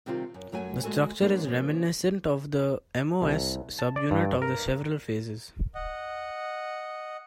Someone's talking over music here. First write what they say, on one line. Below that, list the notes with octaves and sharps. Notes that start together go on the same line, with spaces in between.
The structure is reminiscent of the MoS subunit of the Chevrel phases.
C3 D#3 G3 C4 E4 F4
F#2
F#2 F#3 A3 F#4 G#5
D2 G#3 F#4 A4 G#5
F#3 G#3 A#3 D4 G#4
C#3 F3 A#3
C2
A5
D5
G2
A#4
D#5 F#5